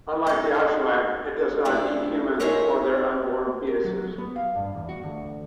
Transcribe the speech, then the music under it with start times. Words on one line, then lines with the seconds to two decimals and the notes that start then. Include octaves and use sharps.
Unlike the Aswang, it does not eat humans or their unborn fetuses.
0.27 D#4 A4
1.65 F#3 A3 D4 E4 F4 D5
2.40 D#4 F4 G#4 A#4 C#5 E5
3.67 A#4
3.84 F#3
4.18 B3
4.36 F5
4.55 G2
4.74 E2
4.89 F#4
5.03 D2